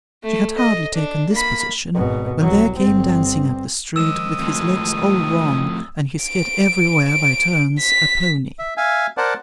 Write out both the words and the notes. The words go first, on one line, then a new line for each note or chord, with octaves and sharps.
She had hardly taken this position, when there came dancing up the street, with his legs all wrong, and his head everywhere by turns, a pony.
A3
D#5
D4
A#3 B5
G#1 B2
C2 F#3
G1 C4
D#3 F3 G#3 D#6 E6 E7
F2 A2
D7
D7
B6
E5
E5 F5 G#5
A#4 C5 D5 F#5 A5